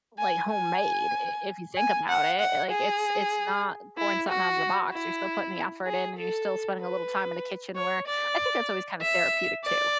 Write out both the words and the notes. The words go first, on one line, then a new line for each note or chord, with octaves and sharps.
like homemade i if you think about it. Like it's it's not pouring something out of the box. You're still putting the effort in and you're still spending a little time in the kitchen where I think that's always kind of therapeutic, too.
G#5
G#5
G#5
F#5
F#5
G#4
E4
F#4
E4
G#4
A4
B4
C#5
D5
E5
D5